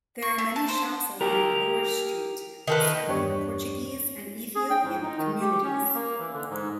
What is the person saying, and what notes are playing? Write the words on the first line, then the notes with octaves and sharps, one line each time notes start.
There are many shops along Bloor Street serving the Portuguese and Ethiopian communities.
C#6
A3
A5
C5
G4 A#4
D#3 A4 B4
E2 G2 D4 G4 C#5 C#6
G#4
G5
G#2
D#4
D#3
G4
C#4
A#3
E3
D3
G#2